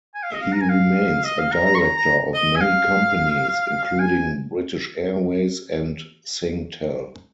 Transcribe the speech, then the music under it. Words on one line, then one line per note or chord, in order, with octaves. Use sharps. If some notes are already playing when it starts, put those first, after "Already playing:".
He remains a director of many companies, including British Airways and SingTel.
G#5
F5
D#5
F5
A#5
G#5
F5
D#5
F5
A#5
A#5
C#6
A#5
A#5
D#5
G#5
F5
G#5